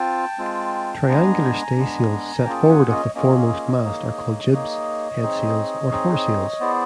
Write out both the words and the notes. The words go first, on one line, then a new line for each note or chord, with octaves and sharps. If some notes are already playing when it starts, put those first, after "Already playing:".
Triangular staysails set forward of the foremost mast are called jibs, headsails, or foresails.
Already playing: C4 F4 G5 A5
G#3 C4 F4
G#3 B3 D4 G#5 A#5
G#3 B3 D4
A#3 C#4 F4 G#4 G5 A5
F#5 G#5
C#5 D#5
A#3 C#4 F4 G#4 C#5 D#5
A#3 D#4 G#4
A#3 D#4 G#4 C#5 D#5
C4 D#4 G#4
C4 D#4 G#4
B3 E4 G#4 C5 D5